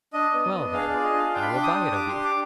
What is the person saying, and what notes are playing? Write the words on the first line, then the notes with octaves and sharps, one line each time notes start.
"Well, then, I will buy it of you!"
D4 D#5
B3
D4
G#4 F5
D5
F4
D#5
D4
F5
D4 G5
B5
C6
D4 D6
D#6
D4
G4 D6
C6
D4
D6